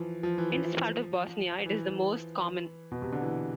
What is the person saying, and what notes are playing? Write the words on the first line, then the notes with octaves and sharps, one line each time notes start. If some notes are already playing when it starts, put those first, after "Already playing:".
In this part of Bosnia it is the most common.
Already playing: E3 F3
F3
E3
F3
E3
B2
C3
D3
E3